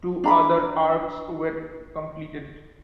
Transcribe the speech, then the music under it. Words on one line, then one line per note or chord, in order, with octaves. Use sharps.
Two other arcs were completed.
D4 A#5 B5